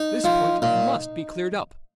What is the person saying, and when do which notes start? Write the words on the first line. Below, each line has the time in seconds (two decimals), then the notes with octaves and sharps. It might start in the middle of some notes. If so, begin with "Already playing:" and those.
This point must be cleared up.
Already playing: D#4
0.24 F3
0.62 A#2